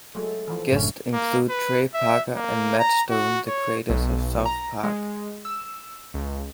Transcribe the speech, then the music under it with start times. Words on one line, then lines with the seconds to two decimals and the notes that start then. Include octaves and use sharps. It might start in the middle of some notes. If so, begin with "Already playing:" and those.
Guests included Trey Parker and Matt Stone, the creators of "South Park".
0.15 F#3 G#3 A3 A4
0.48 E3 F3
0.72 F#1 F#2 A2 D3 A3 C#4
1.12 A#3
1.49 B4
1.94 E5
2.36 A#3
2.79 A#5
3.10 F#4
3.47 C#5
3.90 B1
4.46 A#5
4.84 G#3
5.45 E6
6.14 C#2